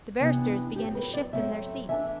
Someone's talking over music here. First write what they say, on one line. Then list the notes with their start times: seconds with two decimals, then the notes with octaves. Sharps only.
The barristers began to shift in their seats.
0.20 C3 E3 B3 D4
0.76 A2 F#3 A3 C4 G4
0.95 B4
1.14 D5
1.33 A2 F#3 A3 C4 E5
1.89 E3 A3 D4 E5